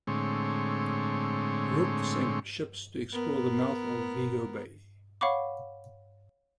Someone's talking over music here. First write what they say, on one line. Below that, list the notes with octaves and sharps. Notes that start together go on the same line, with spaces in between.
Rooke sent ships to explore the mouth of Vigo Bay.
A2 D3 G#3 C4 C#5
B3 A#4
C#5 F5 F#5 B5 C#6 D6